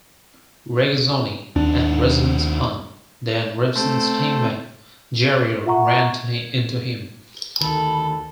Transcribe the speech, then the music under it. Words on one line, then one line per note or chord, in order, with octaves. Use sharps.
Regazzoni and Resvon spun, then Revson's team-mate, Jarier ran into him.
D#2 D4
A3 C4
F4 E5 F#5 A#5 C#6
G#6
D2 D#3 A4 B5